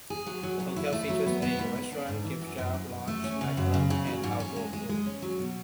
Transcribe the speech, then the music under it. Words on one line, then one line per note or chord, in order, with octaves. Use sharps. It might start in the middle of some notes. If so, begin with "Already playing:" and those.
The hotel features a restaurant, gift-shop, lounge, nightclub, and outdoor pool.
G#4
F#3
F#3
F#3
E4
A3
F#3
B3
B3
G#2
B3
D4
G#2
E3
F#2
F#2
F#2
F#2
A3
C#4
C#3
F#2
C#3
C#3
F#3
G#2
C#4
G#3
G#3
G#3
C#4
F#3
B2